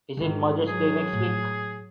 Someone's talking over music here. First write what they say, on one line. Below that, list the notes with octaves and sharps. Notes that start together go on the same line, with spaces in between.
Is it Mother’s Day next week?
G#2 D3 D#3 F4
F#3 G#4
A2